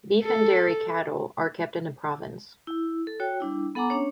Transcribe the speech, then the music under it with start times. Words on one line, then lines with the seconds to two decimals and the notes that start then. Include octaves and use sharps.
Beef and dairy cattle are kept in the province.
0.23 A4
2.67 E4
3.07 A4
3.20 F#4 C#5 G5
3.40 G3 D4 E4
3.75 B3 A4 F#5 G#5 A#5 D6
3.90 C#4 D4 C#5